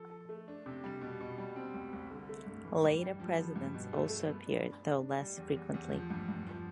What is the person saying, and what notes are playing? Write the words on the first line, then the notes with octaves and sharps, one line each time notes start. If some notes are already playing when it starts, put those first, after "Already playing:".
Later presidents also appeared, though less frequently.
Already playing: F3 A4
A4
A3
D4
C3
G3
B2
B2
G3
C4
C2
C2
D3
A3
G2
E3
G2
G3
F3
B3
G2
B2
A3
A3
B3
D4
D4
D4
D4
G3
E2
E2
E2
F3
G2
G2
F3